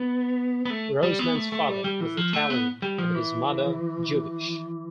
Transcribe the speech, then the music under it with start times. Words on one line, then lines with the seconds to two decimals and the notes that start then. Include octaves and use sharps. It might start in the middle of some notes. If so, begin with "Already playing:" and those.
Rossman's father was Italian, and his mother Jewish.
Already playing: B3
0.65 B3
0.70 A3
1.03 G3
1.19 B3
1.35 A3
1.52 A3
1.68 G3
1.84 G3
2.01 E3
2.17 F3
2.33 A3
2.50 B3
2.82 G3
2.98 F3
3.15 E3